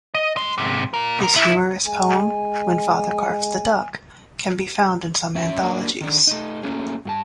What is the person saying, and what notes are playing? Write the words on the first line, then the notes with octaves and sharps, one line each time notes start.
His humorous poem, "When Father Carves the Duck", can be found in some anthologies.
D#5
D#5 C6
G#2 C3
F4 A#4
B1 A#4
C2 E4
G#3 G#5
F#2 C#4 E5
F#3 A#3 D4
D#3 D4
A3 D#4
A3 A#3 C#4 G#4
G2 F#4 A5